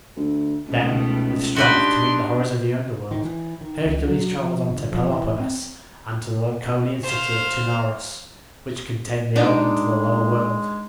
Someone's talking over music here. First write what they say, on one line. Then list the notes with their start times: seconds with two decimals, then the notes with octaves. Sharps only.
Then, with strength to meet the horrors of the underworld, Hercules traveled on to Peloponnesus, and to the Laconian city of Taenarus, which contained the opening to the lower world.
0.16 D2
0.68 C#2 B2 D#3 A3
1.56 D4 D#4 F#4 G4 B4 C6
3.11 D#3
3.24 E3
3.61 D#3
3.86 C#2
4.08 F#3
4.38 F3
4.69 G1
4.92 F3
5.12 E3
5.40 C4
7.03 C5 F5
9.36 G#3 D4 D#4